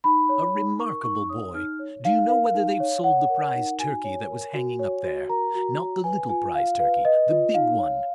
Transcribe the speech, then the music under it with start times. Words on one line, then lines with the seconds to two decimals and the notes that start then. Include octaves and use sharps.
"A remarkable boy! Do you know whether they've sold the prize Turkey that was hanging up there?--Not the little prize Turkey: the big one?"
0.04 D#4 B5
0.29 C#5
0.55 D#4
0.79 A#4 C#6
1.04 D#4 C#6
1.29 C#5 D#6
1.54 D#4 F6
1.79 C#5
2.05 D#4 F5
2.29 A#4 F5
2.54 D#4
2.80 C#5
3.04 C#5 F#5
3.29 A#4
3.55 D#4
3.79 F#4 G#5
4.04 C#5
4.29 A#4
4.54 F#4
4.79 C#5
5.04 F#4
5.29 A#4 A#5
5.55 F#4
5.79 C#5
6.04 B4 G#5
6.29 F4 G#5
6.55 F4 F5
6.79 B4 F5
7.05 B4 D#5
7.29 F4 D#5
7.54 D#4 F5
7.79 C#5